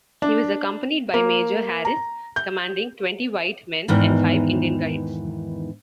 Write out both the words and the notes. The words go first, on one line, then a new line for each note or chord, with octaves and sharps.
He was accompanied by Major Harris, commanding twenty white men, and five Indian guides.
D4
A#3
A#5
G6
E2 G#2 D#3 E3